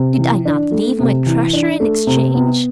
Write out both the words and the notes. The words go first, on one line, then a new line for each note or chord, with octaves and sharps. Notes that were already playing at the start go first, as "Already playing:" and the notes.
"Did I not leave my treasure in exchange?"
Already playing: C3
E3
D4
A3
C3
E3
D4
A3
C3
B3